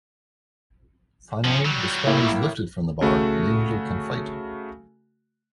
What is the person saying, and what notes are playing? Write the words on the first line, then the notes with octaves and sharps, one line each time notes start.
Finally, the spell is lifted from the bar and Angel can fight.
F3 C#4
F#3 G3
A2 A#3 E4
C#3 A3 F#4